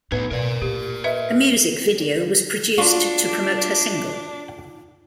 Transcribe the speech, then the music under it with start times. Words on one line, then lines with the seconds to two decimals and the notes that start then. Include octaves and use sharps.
A music video was produced to promote her single.
0.12 A2 B3 D#4 B4
0.31 B2 A#4 D5
0.62 A#2 G4
1.04 B4 D#5 E5
2.78 D4 F4 F#4